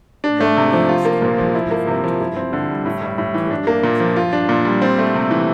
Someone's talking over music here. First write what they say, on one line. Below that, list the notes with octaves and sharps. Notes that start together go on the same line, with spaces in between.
One Lance Corporal prevented a robbery by firing two rounds at a robber.
D4
A3
C3
F3
F4
A#3
A#2
F3
E4
A#3
C3
F3
E4
C4
D3
G3
A2
G3
A2
E3
D4
A#3
A#2
F3
F4
D4
A#2
G3
C4
A3
C3
E3